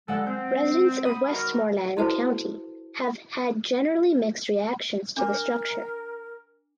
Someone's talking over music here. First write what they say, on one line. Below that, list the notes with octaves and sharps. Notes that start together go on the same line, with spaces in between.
Residents of Westmoreland County have had generally mixed reactions to the structure.
G3 G#3 A4 F#5
C4 G6
B5 D#6
D#3 F#4 A#4
E4 F#4 A4 B4 C5 A5
D4 A#4 D6